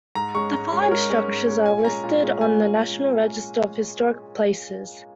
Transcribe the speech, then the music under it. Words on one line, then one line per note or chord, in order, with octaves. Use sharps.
The following structures are listed on the National Register of Historic Places.
G#2 A#5
G#3 C#4 C#6
G#2 A#5
G#3 C#4
C#5
G#2 A#4
G#3 C#4
G#2
G#3 C#4
A#2 G#5
G#3 C#4 A#5
A#2
G#3 C#4
A#2 G#5